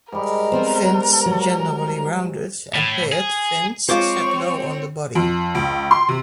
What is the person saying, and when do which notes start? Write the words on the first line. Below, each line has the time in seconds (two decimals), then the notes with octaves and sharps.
Fins generally rounded and paired fins set low on the body.
0.12 G#2 G3 A#4
0.52 B3 C4 C5
1.26 F#3
2.74 A2
3.12 G#4
3.89 G#3 C4 F4 C5 C#5 C#6 D6
5.15 F2
5.55 C#2
5.91 C6
6.09 C3